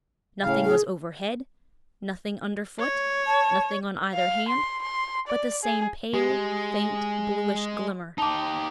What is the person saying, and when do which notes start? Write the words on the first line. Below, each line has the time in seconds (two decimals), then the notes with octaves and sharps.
Nothing was overhead, nothing under foot, nothing on either hand, but the same pale, faint, bluish glimmer.
0.43 A2 C#3 F5
0.65 G#4
2.80 C#5
3.27 A5
4.14 F5
4.48 C6
4.82 C6
5.27 D5
5.63 G#4
6.14 G#3 G4
8.18 D#4 G4 A5 D6